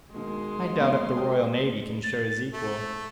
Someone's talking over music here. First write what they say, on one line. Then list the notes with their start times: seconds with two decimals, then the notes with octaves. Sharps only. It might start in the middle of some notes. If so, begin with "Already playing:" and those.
I doubt if the Royal Navy can show his equal.
0.14 B2 D#3 G#3 A#3 C6
0.81 D#2 A#3 B3 C#5
1.16 A#4 G5 D#6
2.04 A6
2.53 A3